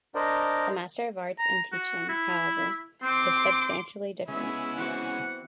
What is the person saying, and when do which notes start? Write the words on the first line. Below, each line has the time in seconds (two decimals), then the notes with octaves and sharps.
The Master of Arts in Teaching, however, is substantially different.
0.15 D4 A#4 C5 D5 D#5
1.38 A#5
1.73 F#4
2.09 E4
3.03 C4 C6 D6
4.28 C#3 G#3 B3 E4 E5
4.78 E3 C4 F#4 F#5